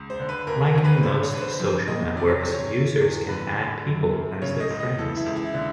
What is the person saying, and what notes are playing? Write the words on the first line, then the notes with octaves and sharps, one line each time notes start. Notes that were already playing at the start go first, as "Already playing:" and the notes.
Like in most social networks, users can add people as their friends.
Already playing: C#2
C5
D3
B4
D2 A#4
A#4
D2
B4
D3 C5
C#5
D3 B4
C5
F2 C5
F2 D#5
C3 D5
C#5
E2 C5
C#5
E3
E2
D3 B4
D3
F#2
F#2
C#3 C#5
D#5
C#2
D#5
E3 A4
E4
C#2
E4
D3